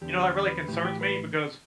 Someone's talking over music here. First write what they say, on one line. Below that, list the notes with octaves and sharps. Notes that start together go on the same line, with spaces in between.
you know, that really concerns me because
E2 D3 G4
B4
A2 E3 G4
G4
B4